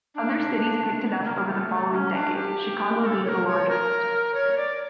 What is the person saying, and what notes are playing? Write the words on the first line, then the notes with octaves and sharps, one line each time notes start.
Other cities picked it up over the following decade, Chicago being the largest.
D4
A#3
A3
A3
D4
C#4
D4
G4
A#4
A4
C#5
A#4
C#5
A#4
C#5
D5